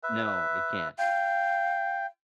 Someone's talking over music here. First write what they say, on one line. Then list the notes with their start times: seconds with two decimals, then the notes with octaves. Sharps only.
No, it can't.
0.03 B4 E5
0.98 F5 G5